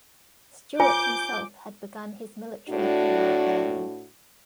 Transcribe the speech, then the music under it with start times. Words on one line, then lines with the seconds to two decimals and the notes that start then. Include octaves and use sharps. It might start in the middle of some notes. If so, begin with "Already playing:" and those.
Stewart himself had begun his military career early.
0.80 F4 C5 G#5 D6 G6
2.69 A2 D4 F#4